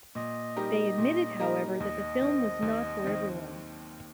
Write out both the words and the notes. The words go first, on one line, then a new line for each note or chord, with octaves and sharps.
They admitted, however, that the film was not for everyone.
A#2 D#5
G3 D#4 G4 A#4
A#2
G3 D#4 G4 A#4
D#2 D#5
D#3 C4
D#2
D#3 C4